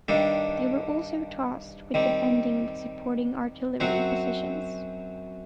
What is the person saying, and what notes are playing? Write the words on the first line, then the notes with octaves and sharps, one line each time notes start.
They were also tasked with defending the supporting artillery positions.
G2 D#3 G3 D4 A4
D#3 G3 C4
F#2 F#3 C4 F#4 C5